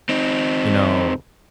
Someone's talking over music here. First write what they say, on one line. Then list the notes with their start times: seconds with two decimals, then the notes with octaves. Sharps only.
you know
0.09 C4 D#4